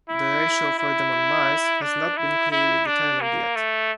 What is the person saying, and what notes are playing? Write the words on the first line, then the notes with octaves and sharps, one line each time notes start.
The ratio for them on Mars has not been clearly determined yet.
E4
E4
D4
E4
E4
D4
A#3
A3